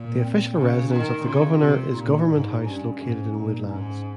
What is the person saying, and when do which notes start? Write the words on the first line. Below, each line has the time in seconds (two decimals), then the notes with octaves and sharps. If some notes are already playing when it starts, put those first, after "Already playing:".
The official residence of the Governor is Government House, located in Woodlands.
Already playing: A#2
0.20 C4
0.55 C#3 C#4
0.90 D#3 D#4
1.25 C#3 F4
1.60 C3 F4
1.95 A#2 D#4
2.30 G#2
2.64 G2 C#4
3.00 G#2
3.34 A#2 D#4
3.69 G#2 C#4